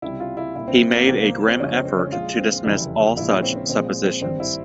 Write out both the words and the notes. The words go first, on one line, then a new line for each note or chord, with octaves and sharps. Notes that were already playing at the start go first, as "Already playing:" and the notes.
He made a grim effort to dismiss all such suppositions.
C#2 C3 G3 E4
F4
E4
C2 A#2 G3 E4
C4
A#3
C2 C3 E3 C4
A#3
C4
F2 C#3 F3 G#3 C#4
C4
C4
C#4
A#1 A#2 G#3 F4
C4
C4
F1 E2 C#3 G3 E4
A#1 A#2 G#3 E4
C#4
C4
C4
A#1 A#2 G#3 C4
C4
G#1 G2 G3 C4
E4